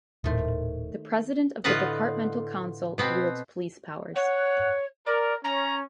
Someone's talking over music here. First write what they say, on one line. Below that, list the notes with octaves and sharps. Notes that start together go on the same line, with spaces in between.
The President of the Departmental Council wields police powers.
D#1 A2 D#3 A3 C5
A2 D3 F4 B4 D#5 F#5
B2 B3 C4
C#5 F#5
A#4 D5
C#4 A#5